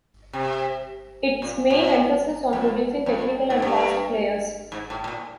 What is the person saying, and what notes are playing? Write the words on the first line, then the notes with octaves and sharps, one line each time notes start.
Its main emphasis on producing technical and fast players.
C3
A#2
A#2
F2
F2
G#2
G2
G#2
A2
A2
A#2